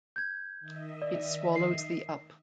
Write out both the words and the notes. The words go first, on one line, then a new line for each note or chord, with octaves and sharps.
It swallows thee up.
G6 G#6
D#3 D#5 E5
D5
C7